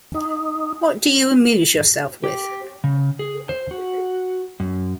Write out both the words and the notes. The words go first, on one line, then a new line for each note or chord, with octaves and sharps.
What do you amuse yourself with?
D#4
G4
C#3
G#4
C5
F#4
F#2